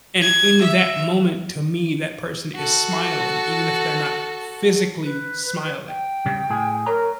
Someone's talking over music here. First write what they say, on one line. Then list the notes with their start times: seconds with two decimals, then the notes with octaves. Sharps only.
and in that moment, to me, that person is smiling, even if they're not physically smiling.
0.22 G#6
0.62 E5
2.55 F#4 A4
5.03 B4
5.88 G5
6.26 C#3 G3
6.50 A2 G#4
6.86 A#4 C#5 A#5